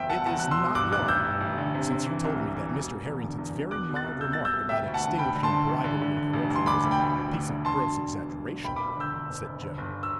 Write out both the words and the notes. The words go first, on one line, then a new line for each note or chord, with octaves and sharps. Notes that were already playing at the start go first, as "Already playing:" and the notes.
"It is not long since you told me that Mr. Harrington's very mild remark about extinguishing bribery and corruption was a piece of gross exaggeration," said Joe.
Already playing: F#1 E2 E5 G5
B2 F#5 A5
E2 F#5 A5
B2 F#6
C6 E6
B2
G2 D6 F#6
A1 D6 F#6
A1 E6 G6
G2
A1
D3
C3
C3
E3
C2
C2
E3
E1
E1
E2
D3
E2
E1
B2 D6 F#6
B2
F#6 A6
C2
B2 E6 G6
F#6 A6
C2
E6 G6
C2
D2 E5 G5
D2
F#5 A5
D3
D2 G5 B5
D3
A5 C6
D3
A1
D3
D3
D3
A1
A1
C6
D3 B5 D6
D2
G5 B5
D2
D2
D3
D3
D3 A5 C6
E1
E1
E1
E1
E1
F#1 G5 B5
B5 D6
F#1
D3 E6 G6
D3
F#1
F#1
D3
G1
E6